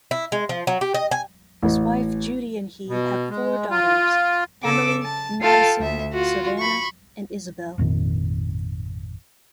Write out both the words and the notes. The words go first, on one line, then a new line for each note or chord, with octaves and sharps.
His wife, Judy, and he have four daughters: Emily, Madison, Savanna and Isabelle.
E4
G#3
F3
F#3
G4
D#5
G#5
A1
B2
G#3
F4
C#3 A4 D6 E6
A5
F4 A4 F5 G5 A5
D2 E5
F4 F#4
B5 C#6
G#1 F2 A#2 D#3